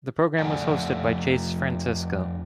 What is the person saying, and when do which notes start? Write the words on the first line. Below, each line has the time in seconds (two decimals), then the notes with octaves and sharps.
The program was hosted by Chase Francisco.
0.39 F2 A3 A4 D5 F#5 G#5